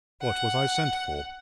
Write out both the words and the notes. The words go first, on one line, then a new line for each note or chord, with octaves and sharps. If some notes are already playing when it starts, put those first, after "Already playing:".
"What was I sent for?"
F#5